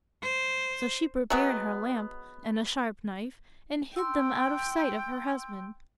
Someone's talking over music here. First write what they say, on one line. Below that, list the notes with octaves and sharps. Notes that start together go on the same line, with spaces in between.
So she prepared her lamp and a sharp knife, and hid them out of sight of her husband.
C5
F#3 G#3 B3
G5 C6 E6